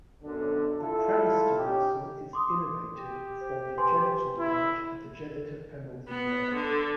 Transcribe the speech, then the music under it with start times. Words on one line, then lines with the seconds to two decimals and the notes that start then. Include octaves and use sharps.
The cremaster muscle is innervated from the genital branch of the genitofemoral nerve.
0.23 F#2 B2 D3
0.79 E4 F4 A4
1.57 C#4 D#4 G4
2.33 C6 D6 D#6
2.92 G4
3.41 C5
3.78 B4 G#5 C6
4.38 E4
6.08 B3
6.54 D3